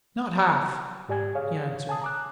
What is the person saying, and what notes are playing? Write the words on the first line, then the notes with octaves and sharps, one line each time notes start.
"Not half!" he answered.
G#2 G4 D5 G#5 G#6
G#4 C#5 F5
G#5 A5 D#6
A#5 D6 F#6